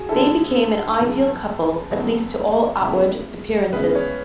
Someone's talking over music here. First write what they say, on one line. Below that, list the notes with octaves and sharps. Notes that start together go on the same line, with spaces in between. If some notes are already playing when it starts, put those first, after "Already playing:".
They become an ideal couple, at least to all outward appearances.
Already playing: F#4 G#4
D3 A3 E4 A4
E2 C#3 F#3 B3
E2 C#3 F#3 B3
C#3 G#3 B3 E4
C#3 G#3 B3 E4 B4
C#5